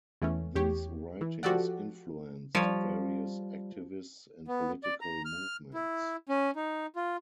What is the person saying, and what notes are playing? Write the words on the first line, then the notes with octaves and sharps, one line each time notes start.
These writings influenced various activists and political movements.
E2 E3 A3 C#4
E2 G4 C#5
E3
F3 F#4 G4 A4 D5 F#5
F3 G3 C#5
B3
D5
A#5
F6
E4
C#4
D#4
F4